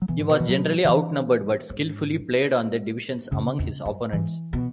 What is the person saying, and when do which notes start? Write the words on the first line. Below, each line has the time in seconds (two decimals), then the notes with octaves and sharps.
He was generally outnumbered, but skillfully played on the divisions among his opponents.
0.02 F#3
0.08 B2 E3
0.19 G#2
0.29 B2
0.40 E3
0.49 F#3
0.84 C#3
0.89 E3
1.70 G#2
3.32 F#2 C#3
3.59 E2
3.85 F#2
4.12 G#2 E3
4.53 B2